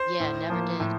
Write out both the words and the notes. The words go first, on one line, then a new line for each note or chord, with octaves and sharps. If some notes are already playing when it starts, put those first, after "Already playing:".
Yeah, never did.
Already playing: C5
A2
F3 A#3
A2